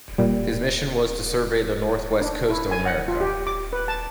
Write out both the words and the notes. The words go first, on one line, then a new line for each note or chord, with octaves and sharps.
His mission was to survey the northwest coast of America.
A#2 G3
D4
E4
G#5
F#5
F4
G4
D6
B4
A5